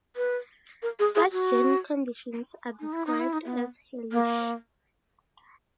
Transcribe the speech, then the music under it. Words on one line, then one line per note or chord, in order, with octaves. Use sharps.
Such journey conditions are described as "hellish".
B4
A#4
G#4
G#4
F#4
D#4
E4
D#4
E4
D#4
B3
A#3